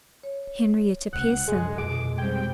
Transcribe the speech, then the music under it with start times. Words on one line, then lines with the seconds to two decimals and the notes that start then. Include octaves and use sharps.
"Henrietta Pierson."
0.23 C#5
1.13 C#2 C3 F#5
1.48 F#2 D3 G#3
1.78 G1 F2 B2 A3 D6
2.18 G3 G#3 C4 G5 G#6